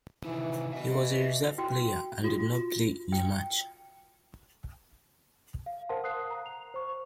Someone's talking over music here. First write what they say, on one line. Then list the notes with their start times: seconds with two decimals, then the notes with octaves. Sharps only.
He was a reserve player and did not play in a match.
0.25 C3 D#3 E3 E4
0.73 B2 B4 E5
1.58 F#4 G5
2.24 F4 F#4
3.12 G5
5.66 F5
5.89 A#4 C5 F5 F#5 A5 C6
6.04 D#6 F#6 C7
6.31 A#5
6.46 F7
6.74 C5 C#6